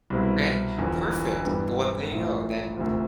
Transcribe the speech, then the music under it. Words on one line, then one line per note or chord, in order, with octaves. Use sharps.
Okay. Perfect. The one there you go. Then
C2 B2 G3 C4 E4
E1 E2 D3 F3
G2 E3 B3 D4 G4
A1 A2 F3
E1 D2 C3 F3